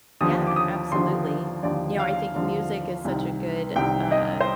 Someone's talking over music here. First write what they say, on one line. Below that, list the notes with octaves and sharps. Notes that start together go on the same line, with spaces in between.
Yeah, absolutely. You know, I think music is such a good, uh
D#2 D3 F3 D#6
D6
D#6
D#2 D3 F3 C6
D#2 D3 F3 D5
F5
D#2 D3 F3
C2 C3 D#3
C2 C3 D#3 G5
D#5
C5